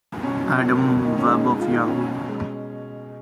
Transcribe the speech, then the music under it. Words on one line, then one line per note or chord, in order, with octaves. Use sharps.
Adam Webb of Yahoo!
B2 C#4
F#3
A#3
B2
D#3 D#4
C#4
G#3 D#4
G#3 D#4
F4
D#3
D#4
B2 C#4
B2
G#3